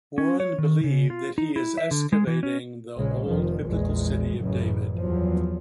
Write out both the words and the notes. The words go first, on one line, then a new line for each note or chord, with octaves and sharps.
Warren believed that he is excavating the old biblical city of David.
C#4
C#5
D#3
C#3
F4
D#4
E4
E5
D3
G#3
E3
C#4
A#1 C#3 G#3
F1 D#3 F3
A#1 E2 G#3
A1 F#2 A2 C#3
E2 F3 F#3